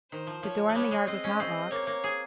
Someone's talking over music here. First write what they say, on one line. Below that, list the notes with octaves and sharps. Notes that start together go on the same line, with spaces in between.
The door in the yard was not locked.
D#3 C5
F3
F3 C#5
G#3
G3 C#5
G#3
C4 D#5
C#4
C4
A#3 C#5
A#3
G#4